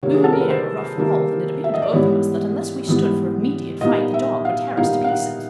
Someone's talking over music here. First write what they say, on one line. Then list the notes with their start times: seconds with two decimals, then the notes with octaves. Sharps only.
We were near a rough wall, and it appeared to both of us that unless we stood for immediate fight the dog would tear us to pieces.
0.03 C3 D#3 G3 A#3 C#5
0.14 G#4
0.24 A4
0.33 A#4
0.41 B4
0.50 C5
0.97 C3 D#3 G3 A#3
1.64 E5
1.74 D#5
1.82 D5
1.92 G#2 E3 G3 B3 C#5
2.87 G#2 E3 G3 B3
3.81 A#2 G3 B3 D#4 D#5
4.14 E5
4.45 F5
4.77 A#2 G3 B3 D#4 F5
5.04 F5
5.08 F#5